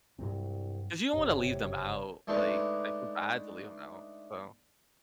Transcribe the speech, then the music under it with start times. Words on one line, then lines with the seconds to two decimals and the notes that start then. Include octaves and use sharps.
'Cause you don't wanna leave them out, like, I feel bad to leave 'em out, so
0.19 C2 G2 F#3 C4
1.13 F#1 G2 C3 C#5
2.27 G#3 A3 D4 D#4 B4